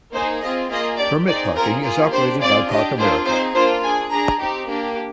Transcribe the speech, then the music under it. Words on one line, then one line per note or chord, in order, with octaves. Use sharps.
Permit parking is operated by ParkAmerica.
A#3 D#4 G#4 C5
C4 F4 G#4 D#5
A#3 F4 G#4 D#5
D4 G4 D5
C4 D#4 G#4 D5
C4 F4 G#4 A#4
A#3 F4 G#4
D4 G4 C5
C4 F4 G#4 D5
D4 G4 D#5
A#3 D4 F4 G#4 C5
C4 D#4 G#4 C5
A#3 D4 F4 C5
D4 G#4 G#5
D4 G#4 A#5
C4 D#4 G4
A#3 D4 G4